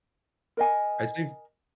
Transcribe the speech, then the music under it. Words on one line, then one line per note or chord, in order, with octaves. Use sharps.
I'd say
A#4 D#5 G#5